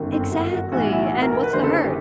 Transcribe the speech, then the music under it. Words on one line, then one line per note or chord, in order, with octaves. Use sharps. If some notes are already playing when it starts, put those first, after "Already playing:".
Exactly, and what's the hurt?
Already playing: G1 F#2 D#3
C4
F#4
F#4
B1 A2 E3 F#4
E4
F#4
A#4
A#4
B4
F#1 F#2 D3 C5
A4
G#4
G4